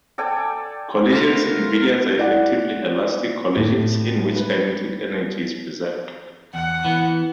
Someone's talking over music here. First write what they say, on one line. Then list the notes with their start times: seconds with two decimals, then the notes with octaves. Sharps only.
Collisions in billiards are effectively elastic collisions, in which kinetic energy is preserved.
0.18 A4 D5 G5 G#5
1.13 A3 B3 A#4 C5 F5
2.17 E4 D5 F#5
3.56 A2
4.36 B4
6.54 E2 F#5
6.85 E3 B3